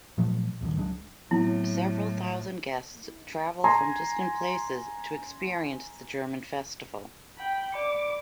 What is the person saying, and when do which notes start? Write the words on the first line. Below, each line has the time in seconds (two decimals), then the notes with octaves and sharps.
Several thousand guests travel from distant places to experience the German festival.
0.18 A#2 F3 F#3 A3
0.61 D#1 D2 G2 D#3
0.76 C#2 F#3 G#3 D4
1.31 A2 F#3 B3 C4 E4
3.64 G#5 A#5 C6
7.37 G5 B5
7.72 D5 B5 D6 C#7